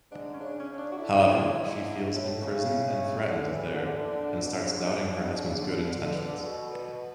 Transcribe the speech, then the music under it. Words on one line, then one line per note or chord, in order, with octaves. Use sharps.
However, she feels imprisoned and threatened there and starts doubting her husband's good intentions.
G#2 D4
C#4
C#3 D4
C#4
C#4
D4
F#4
D3 E4
C#3
D3
C#3
G#2
A2
C#3
E4
D3
E3
D3
D3 D4
E4
D4
B2
C#3
D3
C#3
A2
B2
C#3
B2
C#3
D3
B2
D3
D3 A4
D3 B4
G#4
B2 A4
B4